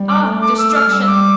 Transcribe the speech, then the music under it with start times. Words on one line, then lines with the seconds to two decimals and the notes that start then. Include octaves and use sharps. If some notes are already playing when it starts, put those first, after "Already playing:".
Ah! Destruction!
Already playing: G3
0.09 D6
0.24 A3
0.42 D6
0.58 E6
0.74 F6
0.90 G3 E6
1.07 D6